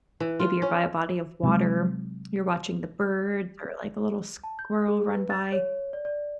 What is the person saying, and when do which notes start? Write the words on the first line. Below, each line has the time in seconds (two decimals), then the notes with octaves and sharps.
maybe you're by a body of water. You're watching the birds, or, like, a little squirrel run by.
0.20 E3
0.40 F4
0.62 C#4
1.43 C3 F#3 G#3
4.44 A5
4.59 G6
4.88 G#4
5.14 B4
5.30 A6
5.52 C#5
5.93 D5
6.05 D5